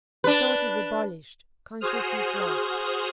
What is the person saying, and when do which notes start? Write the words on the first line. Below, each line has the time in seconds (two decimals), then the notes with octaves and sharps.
Thought is abolished, consciousness lost.
0.24 D4 B4
1.80 F#4 G#4 C5 D#6 F6